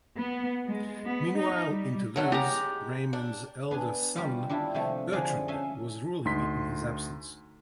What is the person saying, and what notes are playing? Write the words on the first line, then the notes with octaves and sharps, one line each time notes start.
Meanwhile in Toulouse, Raymond's elder son Bertrand was ruling in his absence.
B3
G#3
B3
D#4
G3
D3 F#3 A3
G#3 G4 A#5
D4
B3 D4 G#5
G3 F4 G4 D5 F5
G3 D4 E4 F4
C3 F3 A3
D3 F3 D4 G#4 D5
C#4 A4 E5 F5 G#5
D2 D#4 C6 B6